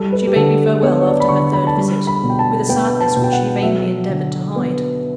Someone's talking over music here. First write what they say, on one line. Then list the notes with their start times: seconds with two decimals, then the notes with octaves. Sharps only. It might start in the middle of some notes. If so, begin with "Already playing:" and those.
She bade me farewell after her third visit, with a sadness which she vainly endeavoured to hide.
Already playing: G3 A4
0.12 B4
0.27 G4
0.36 D3 A4
0.82 B3 C#5
1.07 D5
1.20 B5
1.29 D3 C#6
1.53 B5
1.67 A5
1.76 G3 B5
2.07 B5
2.23 B2
2.30 G5
2.39 A5
2.69 B3 G5
3.01 A5
3.16 B2
3.24 G5
3.32 F#5
3.63 F#3 E5
4.09 D3
4.56 B3